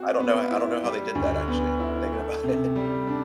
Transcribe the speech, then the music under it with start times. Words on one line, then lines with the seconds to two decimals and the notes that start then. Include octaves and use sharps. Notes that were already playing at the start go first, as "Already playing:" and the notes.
I don't know I don't know how they did that, actually. I'm thinking about it.
Already playing: C4 F#4
0.20 B3
0.51 E4
0.84 G3
1.15 D2
1.48 B3
1.80 E4
2.12 A3
2.43 C3
2.76 G3
3.07 D4